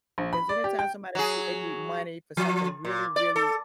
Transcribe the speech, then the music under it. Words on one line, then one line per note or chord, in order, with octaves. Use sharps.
'Cause anytime somebody say they need money for something really, really
A#1
B5
D5
G4
G5
F#3 G#4
F3
A#2
D5
A4